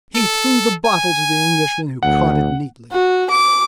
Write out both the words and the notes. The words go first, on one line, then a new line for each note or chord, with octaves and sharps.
He threw the bottle to the Englishman, who caught it neatly.
A4
G#5
D2 F#5
F#4
D6